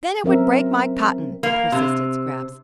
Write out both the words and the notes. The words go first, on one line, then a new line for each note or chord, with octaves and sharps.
"Then it would break my cotton," persisted Scraps.
F#3 C4 C#4 A#4 C5 E5
A#3
C3